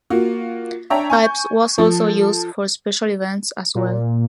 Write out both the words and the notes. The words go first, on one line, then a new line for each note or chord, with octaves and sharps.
Pipes was also used for special events as well.
A#3 F4 F#4
D4 C#5 E5 G5 A5 A#5
G#5 C#6 G6
F3 A4
A#2